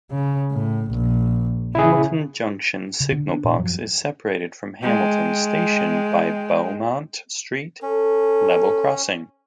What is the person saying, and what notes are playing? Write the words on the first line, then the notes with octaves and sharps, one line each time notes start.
Hamilton Junction Signal Box is separated from Hamilton station by Beaumont Street level crossing.
C#3
A2
A#1
C#3 E4 G#4
C#3
D3
D4
A#2 D4
F#2 F3 F#3
G#3 G5
C#4 A4